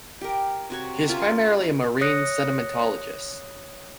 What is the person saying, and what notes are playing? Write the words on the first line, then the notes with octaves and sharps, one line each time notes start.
He is primarily a marine sedimentologist.
G4 A#4
C3 F#4 C#5
C#4 F4 A#4 E5
C#5 D#6 F#6 A#6 C#7